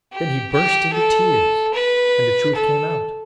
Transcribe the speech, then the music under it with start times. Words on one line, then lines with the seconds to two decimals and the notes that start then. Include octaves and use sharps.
Then he burst into tears, and the truth came out.
0.12 G4
0.52 G4
0.93 A4
1.74 B4
2.56 A4